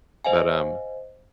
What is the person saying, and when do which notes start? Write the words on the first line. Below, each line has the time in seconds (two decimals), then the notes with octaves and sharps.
but, um,
0.25 C5 D#5 F5 G#5